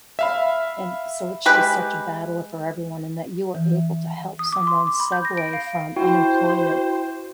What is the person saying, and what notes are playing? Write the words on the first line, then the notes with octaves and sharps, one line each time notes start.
and so, it's just such a battle for everyone, and that you are able to help someone segue from unemployment
E5 F5 B5
G#3 G4 B4
E3
D#6
D6
C6
D6
B5
G6
A#6
D7
F5
E4 F#4 C5 G5